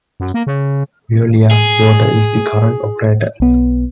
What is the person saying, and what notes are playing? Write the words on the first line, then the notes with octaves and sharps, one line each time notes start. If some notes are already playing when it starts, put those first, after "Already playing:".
Veolia Water is the current operator.
F#2
A#3
C#3
G#4
B1 B3